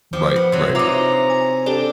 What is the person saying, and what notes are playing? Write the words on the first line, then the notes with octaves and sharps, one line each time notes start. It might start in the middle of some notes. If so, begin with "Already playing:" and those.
Right, right.
F3 G4
B3
C3 F#3
C3 D#4 F4 E5 A#5 D6
G#5
D4 G4 A4 D5